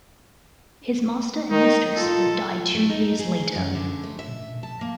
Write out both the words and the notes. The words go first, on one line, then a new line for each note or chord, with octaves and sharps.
His master and mistress would die two years later.
D#3 D#4
F4 A4
A3
D#4
G#4
F#2
D3
A3
E5
A5
A#3